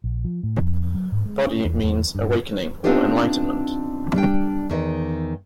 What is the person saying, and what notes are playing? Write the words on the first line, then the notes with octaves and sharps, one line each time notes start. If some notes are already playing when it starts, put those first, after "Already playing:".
"Bodhi" means "awakening" or "enlightenment".
A#1
F3
A2
F2
F#3
G#2
G#3
C#4
E2
E2
G2
B3 C4 D4 D#4 F4 G4
G3 D4 G5
E2 D#3 D#5